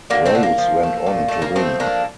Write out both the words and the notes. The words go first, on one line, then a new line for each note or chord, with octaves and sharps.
Rose went on to win.
D3 A#3
A3 C4
D3
A#3
F3
A3
A#2
A#2 A3
A#3
F3 A3 C4
A3 A#3 D4